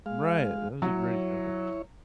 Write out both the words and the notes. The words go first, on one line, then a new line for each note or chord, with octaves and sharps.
Right, that was a great example.
G#3 F5
F#3 E4 C#5